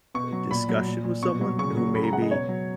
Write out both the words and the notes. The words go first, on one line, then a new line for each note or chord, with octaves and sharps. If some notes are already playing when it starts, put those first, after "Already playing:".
uh, discussion with someone who maybe
B2 C#6
F#3
A#2 B5
F#3
A#2
A#2
B2 C#6
F#3
C#3 C#6
F#3
C#3 B5
A#5
G#3 F#5
D#5
B2 C#5
F#3